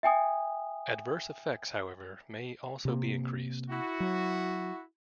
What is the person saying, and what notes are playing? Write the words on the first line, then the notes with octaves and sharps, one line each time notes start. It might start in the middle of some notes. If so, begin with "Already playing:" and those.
Adverse effects, however, may also be increased.
E5 G5 G#5 D#6
C3 A#3
E4 F#4
F#3